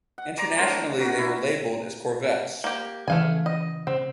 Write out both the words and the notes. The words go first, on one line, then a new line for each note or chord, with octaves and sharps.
Internationally they were labeled as corvettes.
F#5
D5 A#5 C6 D6
A3 D4 A#4 C5
F#4 A#4 F#5
E4
A#3 G4
C#3 E3 A3 F5 G#5
D#5
C#3 C4